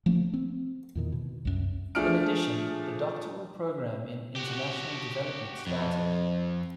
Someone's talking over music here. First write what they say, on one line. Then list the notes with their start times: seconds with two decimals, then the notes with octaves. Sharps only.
In addition, the Doctoral Program in International Development started.
0.06 F3 A3 A#3 C#4
0.34 C4
0.95 E2 A#2 D#3
1.12 B2
1.45 C2 F#2
1.95 F3 A3 D4 G#4 F6 D7
4.36 F#4 G4
5.67 F2